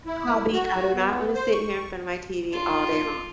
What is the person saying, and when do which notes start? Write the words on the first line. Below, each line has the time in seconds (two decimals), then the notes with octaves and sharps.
a hobby, I do not wanna sit here in front of my TV all day long.
0.06 E4
0.53 F#4
0.94 B3
1.35 C5
1.52 C#6
2.52 D4 F4